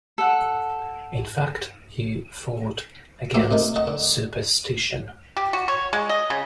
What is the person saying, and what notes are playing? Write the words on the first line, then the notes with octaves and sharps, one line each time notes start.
In fact he fought against superstition.
A4 F#5
F3 A3 A#3 F#4 G4 A4
C3 A3 D#4 A#4
D#5 F#5 A5 C#6
D3
G4
F#4
C#5
G#3
D#5
C#3